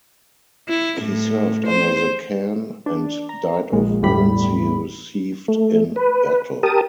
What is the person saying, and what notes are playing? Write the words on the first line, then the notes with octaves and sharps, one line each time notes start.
He served under the khan and died of wounds he received in battle.
E4
A2
C5
D4
A#5
A#1 G#3
G1 E2 A2 G3 B5
A3
B4
G4 A#4 A5 D#6